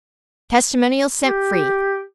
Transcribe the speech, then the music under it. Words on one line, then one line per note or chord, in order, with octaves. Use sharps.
Testimonials SENT FREE.
G4